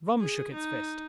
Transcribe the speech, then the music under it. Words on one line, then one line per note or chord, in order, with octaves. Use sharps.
Rum shook its fist.
G#4
D#4